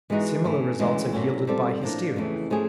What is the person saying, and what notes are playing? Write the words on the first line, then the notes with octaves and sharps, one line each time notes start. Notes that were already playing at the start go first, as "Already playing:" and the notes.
Similar results are yielded by hysteria.
E3 G#3 B3 D#4 F#4
C#3 E3 A3
D2 C#3 E3 G#3
A#2 F#3 A3 C#4 E4
G3 C4 F4 A4 D5
A2 F3 A#3 D4
F2 C#3 E3 A3
F3 A3 C#4 E4 G#4